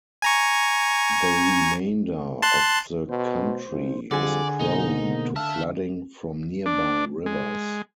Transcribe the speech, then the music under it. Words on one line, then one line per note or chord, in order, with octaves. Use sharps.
The remainder of the country is prone to flooding from nearby rivers.
G#5 A#5 C#6
A5 C6 F#6
B2 C5
C2
F2 D3 G3 G#4 D5 G#5
G#2 B2 A#3 D#4
A3 E5 F5 A5
D4
G#3